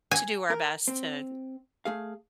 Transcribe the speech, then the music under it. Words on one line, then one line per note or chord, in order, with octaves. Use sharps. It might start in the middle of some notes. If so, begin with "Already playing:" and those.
to do our best to
G#5
A#4
C4
A3 G#4 F5